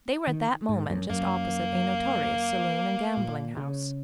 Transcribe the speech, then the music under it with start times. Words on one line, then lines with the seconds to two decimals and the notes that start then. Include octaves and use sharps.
They were at that moment just opposite a notorious saloon and gambling house.
0.27 D#3
0.69 G#2
0.90 F#2
1.10 F#2 A#3
3.17 A#2
3.57 C#3